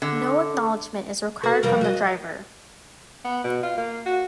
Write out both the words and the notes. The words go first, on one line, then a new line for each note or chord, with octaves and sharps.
No acknowledgement is required from the driver.
D3
F#4 A4 B4
F2 G3 A#4
F#4 D#5
B3
B2
F4
A#3
F#4